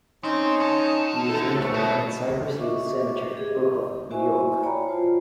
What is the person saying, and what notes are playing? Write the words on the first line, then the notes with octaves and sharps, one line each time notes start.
He is interred at Cypress Hills Cemetery, Brooklyn, New York.
C4 C#4 D#4
D3 A5
D#4 E4 A4
G#2 F#3 A3
B2
F#4 D#5 E5 C#6 D6
G4 G#4
D#5
E4 F#4 C5 E5 G#5 C#6
C#5 D5 G5 A#5 B5
F4 C5 A5